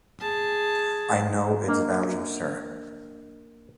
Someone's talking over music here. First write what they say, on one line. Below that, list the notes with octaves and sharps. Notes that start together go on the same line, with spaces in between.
I know its value, sir.
G#4 A5
A#3 D4 D#5